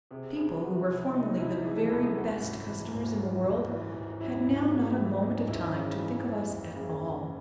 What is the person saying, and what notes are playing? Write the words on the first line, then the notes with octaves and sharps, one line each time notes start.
People who were formerly, the very best customers in the world, had now not a moment of time to think of us at all.
C3 G#4
C2 G#4
E3 F#4
C2
C3 D#4
C2 E4
E3 G#4
A4
C2 A4
G#4
F#2 F#4
G#1
E3
G#1
F#2
G#1
E3
G#1
F#2 E4
G#1
C#3
E3
F#2 D#4
G#1 E4
C#3
E3
F#2
F#1
C#3 G#4
F#1